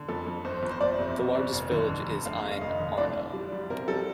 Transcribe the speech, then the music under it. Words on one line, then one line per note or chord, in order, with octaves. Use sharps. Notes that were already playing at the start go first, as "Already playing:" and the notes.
The largest village is Ine, Arno.
Already playing: D3
F2 A4
F2
G1 C5
G1
C5
F2 D5
C3
C3
G1
F1
D3
D3
D3
A3 F5
A3
F5
F1 D#5
D3
C2 D5
C2
G3
G3
C3 A#4
G3 A4